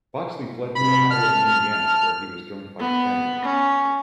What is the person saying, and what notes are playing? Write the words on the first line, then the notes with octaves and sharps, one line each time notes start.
Boxley fled to Ohio and Indiana, where he was joined by his family.
C3 B5
A5 F6
B3
C#4